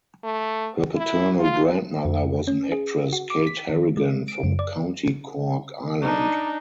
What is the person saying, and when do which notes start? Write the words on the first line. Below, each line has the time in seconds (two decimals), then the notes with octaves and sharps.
Her paternal grandmother was an actress, Kate Harrigan, from County Cork, Ireland.
0.24 A3
0.96 E4
1.40 F4
2.05 F2
2.47 C#4
2.72 G#4
3.13 F#4
3.30 D6
3.47 B6
3.69 D#3
3.97 G#3
4.28 D7
4.43 F#2
4.59 D5
6.02 D4 D#4